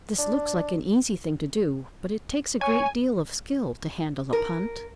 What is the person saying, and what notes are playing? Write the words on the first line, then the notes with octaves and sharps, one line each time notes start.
This looks like an easy thing to do, but it takes a great deal of skill to handle a punt.
D4
C#5 G#5
A#4